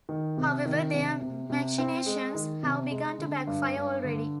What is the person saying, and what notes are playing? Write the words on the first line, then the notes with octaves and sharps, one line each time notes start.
However, their machinations have begun to backfire already.
D#3
C3
D#3
C3
C3
C3
C4
G#3
D#3
C3
G#3
D3
G2
G2
D3